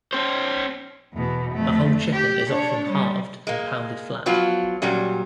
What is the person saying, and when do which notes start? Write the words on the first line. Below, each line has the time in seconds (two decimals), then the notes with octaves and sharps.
A whole chicken is often halved and pounded flat.
0.13 C#4 C5
1.13 E2 B2
1.54 F2 A3
2.12 G4
2.49 D4 C#5
2.90 G3
3.47 G#3 A#3
4.26 F3 F#3 B3 F4
4.82 A#2 F#3 G3 C#4